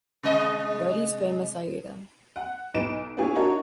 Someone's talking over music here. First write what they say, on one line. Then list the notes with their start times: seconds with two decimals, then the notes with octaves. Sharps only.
Verdi's famous Aida.
0.23 C3 G#3 D#5
2.36 F#5
2.74 B1 D#4 B4 D7 E7
3.17 B3 D4 E4 F4 G#4 C#5
3.35 D4 D#4 F#4 A#4 C#5